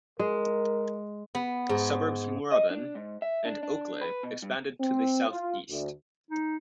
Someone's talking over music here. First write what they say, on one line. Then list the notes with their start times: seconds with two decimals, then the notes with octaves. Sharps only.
The suburbs Moorabbin and Oakleigh expanded to the south-east.
0.19 G#3 A#4
1.35 B3
1.69 G#2
2.52 D#5
2.70 D4
2.95 G#2
3.22 E5
3.45 D4
3.63 D4
4.01 B4
4.23 B2
4.42 G2
4.80 C4
5.28 F4
5.69 D2
6.30 D#4